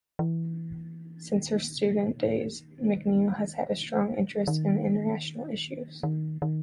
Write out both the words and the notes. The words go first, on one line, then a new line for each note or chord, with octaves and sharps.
Since her student days, McNeill has had a strong interest in international issues.
E3
D#3
C#3
B2
D#3
D#3
D#3
D#3